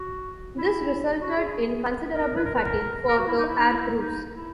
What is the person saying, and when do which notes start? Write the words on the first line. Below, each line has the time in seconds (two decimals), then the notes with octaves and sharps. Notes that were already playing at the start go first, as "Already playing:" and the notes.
This resulted in considerable fatigue for the air crews.
Already playing: F#4
0.58 E4
1.21 F#4
1.36 G#4
2.14 A#4
2.36 B4
2.45 A#4
2.55 B4
2.65 A#4
3.08 A#4
3.18 F#4
3.27 E4
3.38 D#4
3.48 E4
3.59 D#4
3.70 E4
4.00 D#4
4.32 E4